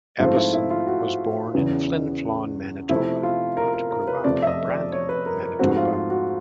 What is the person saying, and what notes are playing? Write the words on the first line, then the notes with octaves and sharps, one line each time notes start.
Evason was born in Flin Flon, Manitoba, but grew up in Brandon, Manitoba.
G#2 F3 A3 C4 F4
E4
E4
F4
F#4
E2 C#3 E3
C3 F3 A3 C4 E4
F4
A#4
A#4
A#4
B4
F2 C3 F3 A3 D5
E5
D#5
D5
C#5
B4
A#4
A#4
G#2 F3 A3 C4 F#4
F4
F4
F#4